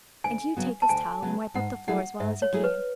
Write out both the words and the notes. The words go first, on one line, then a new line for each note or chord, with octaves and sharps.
And you take this towel and wipe up the floor as well as you can.
D2 G#5
C#3 F#3 B3
A5
D2 G#5
C#3 F#3 B3
G#2 F#5
F#3 A3 E4 G#4 F#5
G#2 E5
C#5
F#3 A3 E4 G#4
B4